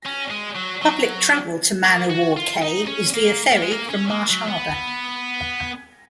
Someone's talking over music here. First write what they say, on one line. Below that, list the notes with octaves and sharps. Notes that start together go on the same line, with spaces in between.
Public travel to Man-O-War Cay is via ferry from Marsh Harbour.
C#4
G#3
F#3
F#3
A#3
F#4
F4
D#4
C#4
A#3
A#3
G#3
A#3
C#4
A#3
F#3
B3